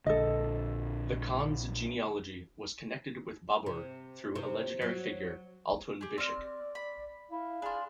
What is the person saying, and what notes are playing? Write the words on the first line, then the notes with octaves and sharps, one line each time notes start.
The Khans' genealogy was connected with Babur through a legendary figure, Altun Bishik.
A#1 D3 A4 D#5
C3
C3
F#3
G4 G#4
C4 D5 F6
B5
E4 F5
D4 F4 G#4